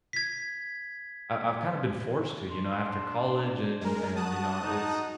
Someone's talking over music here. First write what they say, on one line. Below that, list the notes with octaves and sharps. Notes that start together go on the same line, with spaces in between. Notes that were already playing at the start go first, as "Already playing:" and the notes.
I I've kinda been forced to, you know, after college and and, you know, it's,
G#6 B6
D4 C6
G#3 A#4
F#4 A5 D#6 F#6
D#4